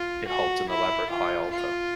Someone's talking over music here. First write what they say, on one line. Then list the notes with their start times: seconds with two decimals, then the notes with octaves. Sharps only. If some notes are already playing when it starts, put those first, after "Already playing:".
It holds an elaborate high altar.
Already playing: F4
0.27 F#4
0.69 E4
1.10 F4
1.51 F4